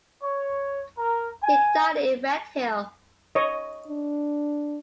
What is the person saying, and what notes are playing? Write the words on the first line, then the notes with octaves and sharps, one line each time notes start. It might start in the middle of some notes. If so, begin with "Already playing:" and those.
He died in Redhill.
C#5
A#4
G#5
C#5 D#5
D4